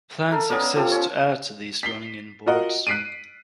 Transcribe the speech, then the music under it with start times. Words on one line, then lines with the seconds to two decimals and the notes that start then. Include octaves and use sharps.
Plans exist to add to these running-in boards.
0.30 A4 A#4 F5
0.49 B3 C#4 A#4 D5
0.63 E6
0.76 F3 F4 G4 A4
0.91 C#4 C#5
1.83 B6 C7 G7
2.46 F4 F#4 A#4 D#5 F#5
2.87 F#6 B6 C7 D7 D#7